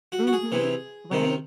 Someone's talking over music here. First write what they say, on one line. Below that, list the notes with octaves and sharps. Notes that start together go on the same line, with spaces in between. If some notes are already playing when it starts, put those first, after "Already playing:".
Mhm. Right?
F#4
F#4
G#4
C3 E3
C3 D#3